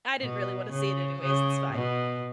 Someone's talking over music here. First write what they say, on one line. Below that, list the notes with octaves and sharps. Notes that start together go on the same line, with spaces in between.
I didn't really wanna see it anyways, it's fine."
B2
C#3
C#3
B2